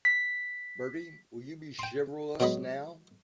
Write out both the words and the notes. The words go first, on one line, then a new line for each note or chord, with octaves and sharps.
Bertie, will you be chivalrous now?
B6
G5 C6
B2 F#3 G#3 C#5 D#5 B5